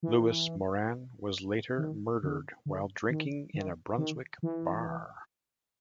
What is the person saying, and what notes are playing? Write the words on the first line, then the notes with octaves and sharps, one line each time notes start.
Lewis Moran was later murdered while drinking in a Brunswick bar.
E3
D#3
D3
D3
D#3
D#3
D#3
E3